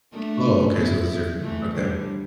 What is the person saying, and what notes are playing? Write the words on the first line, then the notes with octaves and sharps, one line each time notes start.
Oh, okay. So this is different. Okay.
A3 D4
B3 E4
E3 A3
D3 G3